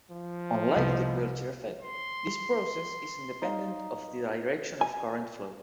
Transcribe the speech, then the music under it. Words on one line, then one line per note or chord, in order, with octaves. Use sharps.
Unlike the Peltier effect, this process is independent of the direction of current flow.
F3
C2 B3 D#5
C6
D#4 D#5 F5
G#5